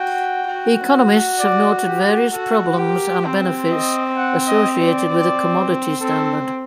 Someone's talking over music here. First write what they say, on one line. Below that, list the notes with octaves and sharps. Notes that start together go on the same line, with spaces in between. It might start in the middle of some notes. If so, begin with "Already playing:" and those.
Economists have noted various problems and benefits associated with a commodity standard.
Already playing: F#4 G5
F#4
D5
G4
F#4 A4
G4 A#4
C4 C5
D#5
F#5
D#5
D5
C4
C4 A4